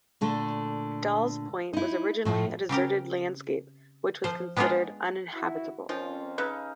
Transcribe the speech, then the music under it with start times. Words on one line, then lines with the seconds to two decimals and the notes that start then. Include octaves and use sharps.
Dolls Point was originally a deserted landscape, which was considered uninhabitable.
0.21 A#2 D3 A3
1.73 D#4 E4
2.25 A2 F3
2.69 C#3 C4 G4 A#4
4.24 F3 C5
4.57 G#3 B3 D4 D#4 F4 G#4
5.34 E4 F#4
5.89 F2 D#3 F3 C#4 F4
6.38 C#3 D#4 A4 B4 F5